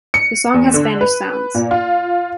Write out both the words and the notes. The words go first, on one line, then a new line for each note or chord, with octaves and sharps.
The song has Spanish sounds.
C#7
E2
D3
B4
A#2
F4